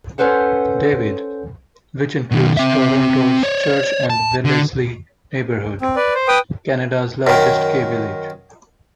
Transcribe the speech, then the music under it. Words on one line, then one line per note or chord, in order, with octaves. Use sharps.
David, which includes Toronto's Church and Wellesley neighbourhood, Canada's largest gay village.
C#4 A4 B4 C5 F#5
B2 D#3
C4 E5
C5 C#5
A5
D3
C4
B4 D5
C5
B4 G5 D#6
F#2 D#3